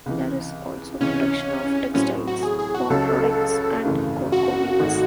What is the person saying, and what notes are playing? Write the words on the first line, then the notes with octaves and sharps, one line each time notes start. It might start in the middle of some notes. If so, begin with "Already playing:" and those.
There is also production of textiles, palm products, and cocoa beans.
C#2 C3 E3
C#2 C3 E3 C#4
A2 F#3 C4 C#4
F#4
G#4
G#4
F#4
C#2 C#3 F#3 C#4 A4
G#1 F#2 C#3 E3 A3
F#4
G#1 G#2 D#3 A3